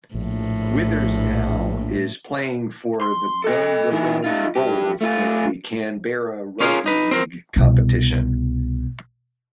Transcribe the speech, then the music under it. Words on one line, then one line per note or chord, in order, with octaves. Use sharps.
Withers now, is playing for the Gungahlin Bulls in the Canberra Rugby League Competition.
A#1 A2
C6
A4 D#5
E3 D#4
D#4 F4
G2 G4
A3 F4
C#4 F4 G#4 A#4
D#4 B4
C4 A#4
C2 B2